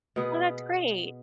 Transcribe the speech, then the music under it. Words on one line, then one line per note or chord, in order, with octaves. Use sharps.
Well, that's great.
B2 B3 G#4